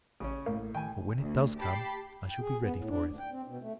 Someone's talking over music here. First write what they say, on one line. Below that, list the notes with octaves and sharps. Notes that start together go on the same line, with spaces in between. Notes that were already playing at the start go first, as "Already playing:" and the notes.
But when it does come I shall be ready for it.
A1 C#3 C#4
A2 A#3
D#3 G5 G#5
D2
G4 G5 A5 B5 C7
G5
G#4
B3
A2
D4
D2
G5
C4
B2
A3